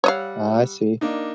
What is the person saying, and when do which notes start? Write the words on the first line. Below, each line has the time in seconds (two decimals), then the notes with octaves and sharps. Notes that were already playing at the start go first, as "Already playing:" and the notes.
Ah, I see.
0.04 G3 C#5 D#5 F5 F#5 E6
1.01 A#3 D4 D#4